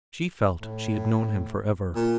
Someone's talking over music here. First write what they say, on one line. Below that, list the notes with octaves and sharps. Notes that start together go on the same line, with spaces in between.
She felt she had known him for ever.
A2
A#2